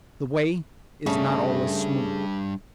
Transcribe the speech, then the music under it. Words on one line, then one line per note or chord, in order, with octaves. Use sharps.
The way is not always smooth.
C#3 G3 A3 D4